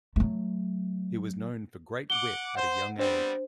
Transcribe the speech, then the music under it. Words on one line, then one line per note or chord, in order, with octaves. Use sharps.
He was known for great wit at a young age.
F#3 A3
F#5 D6 G7
C5 F#5
G3 B3 C4 D4 C5